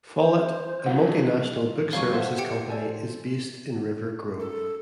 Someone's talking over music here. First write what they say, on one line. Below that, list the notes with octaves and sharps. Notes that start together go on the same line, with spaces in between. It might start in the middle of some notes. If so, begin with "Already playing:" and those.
Follett, a multi-national book services company, is based in River Grove.
C5
D3 F#3 F5 F#5
F2 A#2 G3 C#5 F5 C#6 G#6
A4 C5 E5 F#5
G4 G5 C#7
A4 D5 G#5
A4